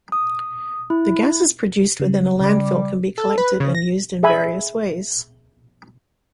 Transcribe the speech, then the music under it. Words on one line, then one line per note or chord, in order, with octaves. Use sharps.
The gases produced within a landfill can be collected and used in various ways.
D#6
E4
C#3 G3
C#3 G3 D6
A4
B4
C#3
A#6
G#4 E5 G#5 B5